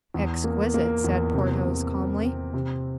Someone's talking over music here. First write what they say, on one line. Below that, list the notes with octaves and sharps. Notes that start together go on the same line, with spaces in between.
"Exquisite," said Porthos, calmly.
E2
A#3
A#3
E2
C3
C3
C4
C4
C3